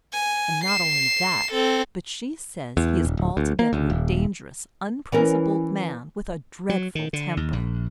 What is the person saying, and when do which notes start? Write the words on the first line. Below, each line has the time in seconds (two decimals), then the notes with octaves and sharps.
And not only that, but she says he is altogether a dangerous, unprincipled man with a dreadful temper.
0.13 G#5
0.64 C7 E7
1.51 C4 A4
2.77 E2
3.05 D#1
3.17 D1
3.37 D2
3.59 A#3
3.73 D2
3.90 D#1
5.12 E3 C#4 A#4
6.70 F#3
6.95 D#3
7.13 D3
7.37 D#2
7.53 A#1